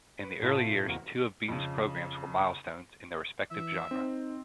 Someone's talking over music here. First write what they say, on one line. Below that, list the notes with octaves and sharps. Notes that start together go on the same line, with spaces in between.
In the early years, two of Beam's programs were milestones in their respective genre.
B4
A2 C3 E4 F4 A5
E2 C3 A#3 F#4 A#4
F2 C#3
E3 E5
C4 D#4